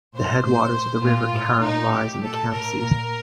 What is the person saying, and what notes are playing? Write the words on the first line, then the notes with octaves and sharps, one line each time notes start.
The headwaters of the River Carron rise in the Campsies.
A#2 C5
A2 C5
A#2
A#2 F4
A2
A#2 D#4
A2 G4
A#2 A4
A2 A#4
A#2 A#4